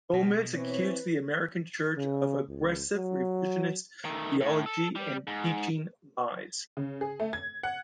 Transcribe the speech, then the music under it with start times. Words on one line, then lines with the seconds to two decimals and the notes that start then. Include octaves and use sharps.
Gomez accused the American church of "aggressive revisionist theology" and teaching lies.
0.13 B2
0.54 E3 C4 B4 C#5
1.97 C#3
2.49 C#2
2.96 F#3
4.05 D#3 A3
4.41 A2
4.66 A4
4.96 G3
5.27 G#2
6.77 C#3
7.01 G#4
7.20 A3
7.33 G#6
7.63 F#5